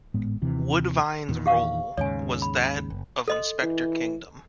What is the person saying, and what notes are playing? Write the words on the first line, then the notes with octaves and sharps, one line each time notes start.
Woodvine's role was that of Inspector Kingdom.
G#1 A2 G#3 B3
D#2 C3 E3
E2 A#2 D#3
G4 F5 C#6
D#2 G#2 C#3 C#5 G#5
B5
F#1
A4 D#5 C6
E3